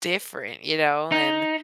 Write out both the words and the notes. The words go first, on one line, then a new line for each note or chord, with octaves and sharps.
different." You know? And
D#4